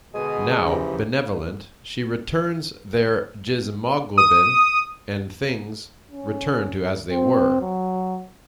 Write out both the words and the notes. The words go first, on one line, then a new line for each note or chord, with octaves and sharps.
Now benevolent, she returns their Jizmoglobin, and things return to as they were.
B2 D3 G#3 G#5 D#6
A1 C#3 E3 F3 D#4 G4
D#6
C#4
C4
F#3